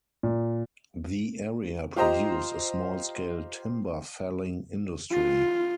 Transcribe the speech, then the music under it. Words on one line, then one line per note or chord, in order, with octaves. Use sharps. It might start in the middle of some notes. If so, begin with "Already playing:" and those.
The area produced a small scale timber felling industry.
A#2
F4 G4 C5 D#5 A#5
F4